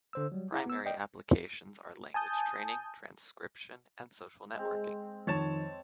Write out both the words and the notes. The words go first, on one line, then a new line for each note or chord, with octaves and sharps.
Primary applications are language training, transcription and social networking.
D3 C5 E6
F#3 G3
E4 G#4 F#5 A#5 D6
B3 E6
D5 D#5 G5
G#5 A5 D#6 G6
G#3 C4
F2 D#3 C#5 A5 A6 E7